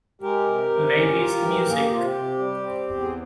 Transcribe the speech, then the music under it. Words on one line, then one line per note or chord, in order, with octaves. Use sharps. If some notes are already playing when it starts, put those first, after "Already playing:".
Maybe it's the music.
G#3 G4 A#4
C3
C3
C#4
F4
E3
A#3 G#4
G4
C3 F4
G4
C3
G3
C4
E2
G#4